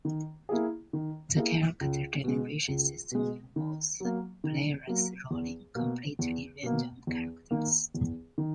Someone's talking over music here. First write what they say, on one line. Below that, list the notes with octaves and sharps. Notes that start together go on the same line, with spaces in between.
The character generation system involves players rolling completely random characters.
D#3
A#3 E4 G#4
D#3
A#3 E4 G#4
C#2
B2 G#3
C#2
B2 G#3
D#3
F#3 A#3
D#3
F#3 A#3
E2
B2 A#3
E2
B2 A#3
E2
D#3 A#3
E2
D#3